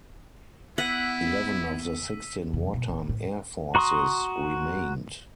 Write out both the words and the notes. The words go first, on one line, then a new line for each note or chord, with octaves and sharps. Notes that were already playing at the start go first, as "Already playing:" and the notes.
Eleven of the sixteen wartime air forces remained.
B3 E4 F#5 E6 B6 D#7
F2 C3
F#2 B2
D1 E2
A2
F#4 A#5 C6 C#6 D#6